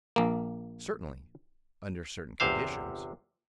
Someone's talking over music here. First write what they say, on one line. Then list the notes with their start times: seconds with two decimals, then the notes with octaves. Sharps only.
"Certainly, under certain conditions."
0.16 A#1 A#3
2.40 G1 E2 C3 C5 F5